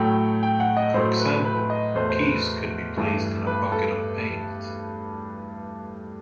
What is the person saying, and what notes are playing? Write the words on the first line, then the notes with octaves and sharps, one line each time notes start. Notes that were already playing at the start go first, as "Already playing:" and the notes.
For example, keys could be placed in a bucket of paint.
Already playing: A2 F#3 A3 G5
G5
F#5
D#5
A2 F#3 A3 C5
B4
B4
D#5
E2 B2 A3 C5
C5
B4
G2 E3 A3
B4
A4